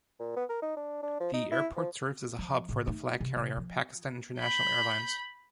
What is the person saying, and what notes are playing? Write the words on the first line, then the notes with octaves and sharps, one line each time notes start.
The airport serves as a hub for the flag carrier, Pakistan International Airlines.
A#2
B3
A#4
D#4
D4
D4
F3
D#4
E4
F3
F3
A2 C#3
A3 D#4
C3
C3
F3
B5 G6